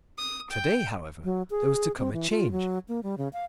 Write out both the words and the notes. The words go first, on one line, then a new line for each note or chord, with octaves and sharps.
To-day, however, there was to come a change.
D#6
G5
F#3
G#4
C4
E3
F4
F#3
A#3
G3
C#3
F5